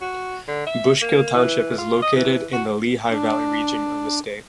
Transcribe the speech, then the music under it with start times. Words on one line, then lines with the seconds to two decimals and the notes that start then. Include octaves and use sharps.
Bushkill Township is located in the Lehigh Valley region of the state.
0.01 F#4
0.48 D3
0.67 E5
1.02 A#3
1.34 E3
1.78 F4
2.02 D#5
2.16 E3
2.53 F#4
3.10 D4